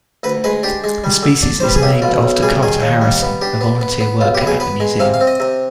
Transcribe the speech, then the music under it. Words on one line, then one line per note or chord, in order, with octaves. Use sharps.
The species is named after Carter Harrison, a volunteer worker at the museum.
D2 B4
G#3 B4
D4 G4
G#3
G3
D3
D4
C5
G3
B4
G#4
B1 G4
B2 F4
B1
G3 G#4
D#3 G#4
D#2
G3
B3
D4 G4
B3
B3
B3
B1 F4
G4
B3
G#4
B3 B4
G#3
C3 F5
F5
C4
D#5
C3